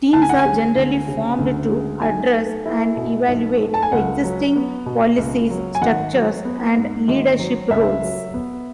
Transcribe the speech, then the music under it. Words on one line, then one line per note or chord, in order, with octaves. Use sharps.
Teams are generally formed to address and evaluate existing policies, structures, and leadership roles.
D2 A5
G#5
F#5
G#5
G#3
D2
C#3
D2
G#3
B1 G#5
A3
E4
B2
B1
A3
A5
G#5
C#2 F#5
F#3
B3
B2
C#2
F#3
G#5
G#1 F#5
F#3
B3
G#2
G#1
F#3
C#2 E5
F#3
B3